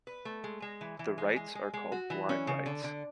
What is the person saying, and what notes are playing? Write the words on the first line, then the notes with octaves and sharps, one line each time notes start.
The writes are called blind writes.
B4
A3
G#3
G#3
E3
E3
G#3
G#3
G#3
G#3
F#4
E3
C#4
C#3
D3
D3